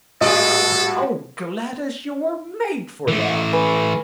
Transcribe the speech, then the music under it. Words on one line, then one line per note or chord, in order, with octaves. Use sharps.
Oh, Gladys, you were made for love!
G#2 G3 F#4 G#4 A4 D5 D#5
E3 A3
B4 G#5 B5